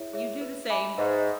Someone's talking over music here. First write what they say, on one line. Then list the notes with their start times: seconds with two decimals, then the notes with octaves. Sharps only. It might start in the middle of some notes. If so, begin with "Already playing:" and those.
You do the same.
Already playing: E4 G#4 C#5 E5
0.13 G#4 C#5 E5
0.41 B4
0.69 E5 G#5 B5 D6
0.98 G#2 B4